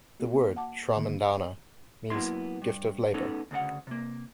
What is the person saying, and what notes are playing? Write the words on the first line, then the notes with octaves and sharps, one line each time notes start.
The word "shramadana" means "a gift of labor".
A#3 F#4
F#5 A5 D6
D3 D#3 A#3
F#2 A#3 B3 E4 C6
G2
A3 B3 C#4 D#4 A4
D2 C#3 A4 F#5
C3 A#3